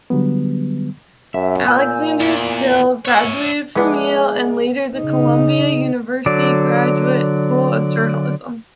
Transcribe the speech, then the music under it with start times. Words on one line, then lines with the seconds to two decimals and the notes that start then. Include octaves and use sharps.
Alexander Stille graduated from Yale and later the Columbia University Graduate School of Journalism.
0.10 D3 F#3 G3 B3
1.34 F#2 E5
1.68 A#2 G#5 E6 G6
2.20 E2
3.05 C#5 E5
3.75 E3 G#3 B3 D4
4.97 C#3 D#4
6.26 D3 F#3 D5